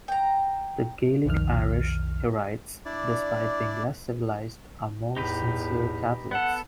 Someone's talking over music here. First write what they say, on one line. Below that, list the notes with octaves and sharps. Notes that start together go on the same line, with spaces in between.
The Gaelic Irish, he writes, despite being less civilised, are more sincere Catholics.
G5 A#5
B1 F2 D#3 F6
D4 E4 D5
E2 A2 D#4 G4 B4
B3 A4 F#5